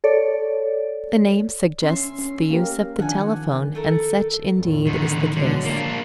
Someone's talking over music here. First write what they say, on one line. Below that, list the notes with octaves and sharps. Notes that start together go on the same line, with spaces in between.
The name suggests the use of the telephone, and such indeed is the case.
A4 C#5 D5
C#4 E5 C6
C#4
A#3 G4 A#4
D#3 F3 D4 F#5 G#5
A3 A4 A#4
E2 A2
D3 D#3
E2 D3 F#3 G#3
A#1 A#3 D4